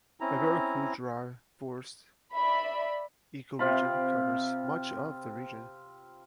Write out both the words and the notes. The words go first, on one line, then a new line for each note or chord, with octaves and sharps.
The Veracruz dry forests ecoregion covers much of the region.
C4 C#4 E4 A#5
D5 E5 B5
C3 C4 F4 B5